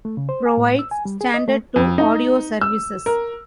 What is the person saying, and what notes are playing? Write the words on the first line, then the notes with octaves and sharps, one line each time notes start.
Provides standard to audio services.
A3
C#3
C5
G#5
A2
E6
G#5
G3
G#4
D#5
A3
F2
D#4
E6
A#4